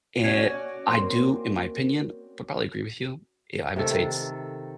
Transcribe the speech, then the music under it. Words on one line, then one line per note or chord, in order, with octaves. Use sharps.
Eh, I do, in my opinion, p probably agree with you, yeah, I would say it's
C#4 F#4 D5 G#6
A#3 C4 C6
C3 D#3 A4